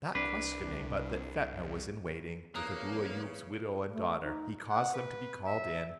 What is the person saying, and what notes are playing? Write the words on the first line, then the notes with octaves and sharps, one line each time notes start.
Not questioning but that Fetnah was in waiting, with Abou Ayoub's widow and daughter, he caused them to be called in.
C2 D4 B4
E2 C#3 A#3 A#5 D#6 F#6
A3
D#4
F#5
B4
E5